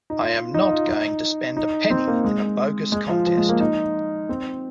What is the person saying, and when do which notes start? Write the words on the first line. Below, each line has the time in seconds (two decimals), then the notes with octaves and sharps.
I am not going to spend a penny in a bogus contest.
0.10 D#4
0.20 F4
0.54 D#4
0.70 F4
0.87 D#4
1.57 D#4
1.90 C4
2.08 A#3
2.25 G#3
2.92 G#3
3.09 F3
3.26 F3
3.38 G#3
3.49 A#3
3.60 D#4
4.29 C4